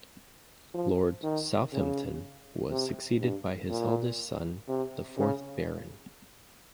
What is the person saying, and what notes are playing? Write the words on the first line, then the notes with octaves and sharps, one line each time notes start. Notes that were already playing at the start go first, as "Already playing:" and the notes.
Lord Southampton was succeeded by his eldest son, the fourth Baron.
F3
D#3
C#3
C3
G2
A#2
C3
C#3